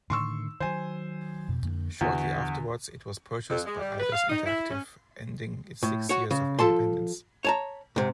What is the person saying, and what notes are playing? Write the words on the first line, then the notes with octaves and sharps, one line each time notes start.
Shortly afterwards, it was purchased by Eidos Interactive, ending its six years of independence.
A2 D3 D#3 C6 C#6 E6
D#3 F#3 C5 G#5
F2 B2
F2 D3 A#3
E2 D3 F#4
F2
G#3
G3
B4
F5
D#4
E4
C#4
A2
F#4 C#5
C#3
F3 A4 A5 C6
C#5 A5 A#5
G#2 C3